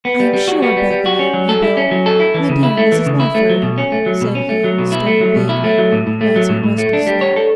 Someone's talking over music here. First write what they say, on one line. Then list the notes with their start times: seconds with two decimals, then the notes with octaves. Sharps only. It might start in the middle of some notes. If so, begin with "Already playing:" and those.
'I am sure, Bethany, you will--My dear Mrs Lawford!' said he, stirring vaguely, glancing restlessly.
0.05 B3
0.20 G3
0.34 G3
0.48 F#4
0.62 B3
0.77 G3
0.91 G3
1.06 F#4
1.19 C#4
1.34 F#3
1.49 A4
1.62 E4
1.77 C#4
1.91 F#3
2.06 A4
2.20 E4
2.34 E3
2.49 C#3
2.63 E4
2.77 A3
2.92 E3
3.06 C#3
3.20 E4
3.35 A3
3.50 F#3
3.63 B2
3.78 C#4
3.92 A3
4.06 F#3
4.21 B2
4.35 C#4
4.49 A3
4.64 F#3
4.79 B2
4.92 E4
5.07 A3
5.21 F#3
5.36 B2
5.49 E4
5.64 A3
5.78 F#3
5.92 A2
6.07 A2
6.21 A3
6.36 F#3
6.49 A2
6.64 A2
6.78 A3
6.93 D4
7.07 G3
7.21 C#5
7.36 A4